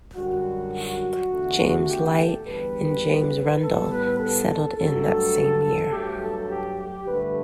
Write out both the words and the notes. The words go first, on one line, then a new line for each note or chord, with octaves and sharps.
James Light and James Rundle settled in that same year.
F#2 D3 G3 F#4
E2 D3 A3
G4
A4
E2 D3 G3 B4
A2 G3 B3 A4
B4
A4
G2 F#3 A3 A4
G2 F#3 A3 G4
A4
G4
G4
G2 D3 A3 B4